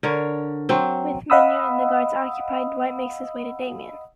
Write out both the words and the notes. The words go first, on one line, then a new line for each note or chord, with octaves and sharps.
With Manute and the guards occupied, Dwight makes his way to Damien.
D3 A#4 C#5
F#3 C4
D#5 F5 F#5 B5 D#6 E6